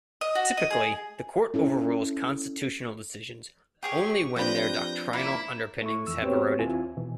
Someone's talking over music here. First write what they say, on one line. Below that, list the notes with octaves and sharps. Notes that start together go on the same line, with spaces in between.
Typically, the Court overrules constitutional decisions only when their doctrinal underpinnings have eroded.
D#5
F#4
D#5
G#4
C#4 E4 A4
G4 G#4 C#5 C#6
F3 C4 D4 G4 B4 G6 A#6
A#3 E4 E5 B5
A3 E4 C#6
F2 E3 E6
B3 C4 F#4 G4 B4 C#5
D#2 C4 E4 F4 G#5
B2 E3